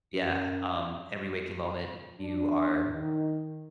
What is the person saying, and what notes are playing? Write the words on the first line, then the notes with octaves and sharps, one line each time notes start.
yeah, um, every waking moment, you are
F#2
D4
D#3